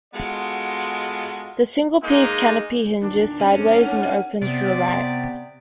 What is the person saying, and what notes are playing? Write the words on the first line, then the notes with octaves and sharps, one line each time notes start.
The single-piece canopy hinges sideways and opens to the right.
G#3 B3 F4 F#4 A4 D#5
G#3 A#3 D#4 G#4
E2 A#2 D#3 D4
G2 C4 C#4
D#4 A#4 F#5
C3 B3 D5